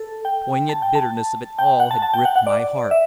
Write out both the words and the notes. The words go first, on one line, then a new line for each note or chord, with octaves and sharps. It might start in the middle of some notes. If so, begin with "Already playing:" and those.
The poignant bitterness of it all had gripped my heart.
Already playing: A4
G5
A5
G5
A5
G5
F#5
A5
A5
G5
F#5
F#5
D5
E5